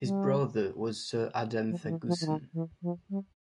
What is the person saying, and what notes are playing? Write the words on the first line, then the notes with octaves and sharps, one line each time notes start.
His brother was Sir Adam Ferguson.
G3
F3
D#3
E3
F3
E3
D#3
E3
F3
G3